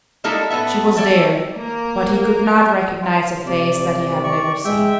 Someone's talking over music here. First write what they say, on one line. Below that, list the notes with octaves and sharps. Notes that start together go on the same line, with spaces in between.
She was there--but he could not recognise a face that he had never seen!
G3 G#3 A#3 D#4 E4 A4
A2 B3 A4 E5
A4 C#5 D5 E5
A#3 A#4
F4
C3 D5
D5 C#6
G#3 E5 G5